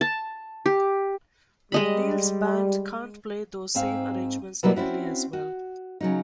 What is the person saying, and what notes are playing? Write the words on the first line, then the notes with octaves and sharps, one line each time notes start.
But Neal's band can't play those same arrangements nearly as well.
A5
G4
G3 G#3 D#5 B5
G#2 C4 F5
B2 F#3 G3 A#3 E4
C4 C#4 E4 F#4
F#4
C#3 F#3 D#4